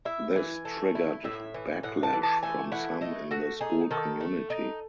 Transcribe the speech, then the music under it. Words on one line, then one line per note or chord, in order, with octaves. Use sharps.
This triggered backlash from some in the school community.
E4 E5
E3 G#5
A3
E4
A2 E5
E3
A2 F#5
A5
E3
A5
A3 G#5
E4 F#5
A3 D#5
A3 F#4
D#4 G#4
D#3 A4
A3
D#4